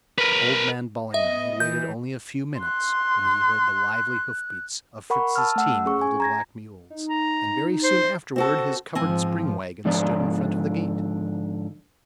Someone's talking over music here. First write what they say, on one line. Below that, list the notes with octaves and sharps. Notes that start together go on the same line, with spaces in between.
Old man Ballinger had waited only a few minutes when he heard the lively hoofbeats of Fritz's team of little black mules, and very soon afterward his covered spring wagon stood in front of the gate.
A#4 B4
B3 D#5 E5
E3 G6
C6 F#6
A#4 F#5 B5 C#6
A5 E6 F6
A3 F#5 E6
C#4 G#4 C#6
G#5
A#5 G#6 A#6
D#4
A#5
C5
C4 F#4 A4
G#2 F3 C4 G#5
G#2 D3 F3 D5